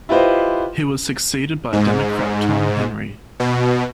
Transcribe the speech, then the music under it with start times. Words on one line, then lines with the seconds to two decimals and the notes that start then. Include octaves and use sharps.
He was succeeded by Democrat Tom Henry.
0.09 E4 F4 G4 B4 C5 D#5
1.73 G#2
3.40 B2